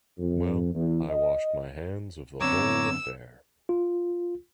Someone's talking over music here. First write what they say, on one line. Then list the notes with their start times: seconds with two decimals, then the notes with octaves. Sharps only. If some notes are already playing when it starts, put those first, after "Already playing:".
Well, I wash my hands of the whole affair!
0.19 F2
0.75 E2
1.10 D#5
2.41 F#2 D3 B3 C4 C#5 A#5 D6 E6
3.69 F4